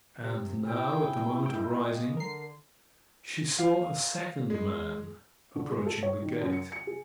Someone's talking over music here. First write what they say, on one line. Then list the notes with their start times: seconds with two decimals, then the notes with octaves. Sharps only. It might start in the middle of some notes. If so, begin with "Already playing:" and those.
And now, at the moment of rising, she saw a second man approaching the gate.
0.24 C3
0.66 E4 G#4 G5
1.46 G#3 A#3 D#5 G5
2.17 D3 A#4 C7
3.59 F5
4.50 G#3
5.56 D3
5.70 G#3
5.86 A4
6.03 C#5
6.22 D#3
6.41 F#2
6.53 C#7
6.72 C#7
6.87 G#4